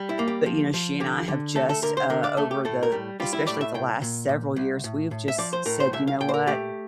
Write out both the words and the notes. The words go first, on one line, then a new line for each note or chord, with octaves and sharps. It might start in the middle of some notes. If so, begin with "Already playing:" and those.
But, you know, she and I have just, uh, over the especially the last several years, we've just s said, you know what?
Already playing: G3
E4
A#3
G4
F3
F3
D3 G4
D3
A3 A4
A4
D3 A#4
C5
D3 A#4
D5
A3 A4
G4
A2 A4
A#4
G3
G3 F4
E4
A2 D5
E5
C2 G5
A#2
A#2
C2
A2
A2
E5
F3 D5
C5
A2 A#4
C5
C2 E5
F5
A#2 G5
C5
A#4
A3 G4